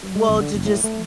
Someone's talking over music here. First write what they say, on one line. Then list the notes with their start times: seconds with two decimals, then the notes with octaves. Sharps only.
Well, to just
0.16 G#3
0.29 B1
0.41 D3
0.54 F#1
0.66 A2
0.84 A3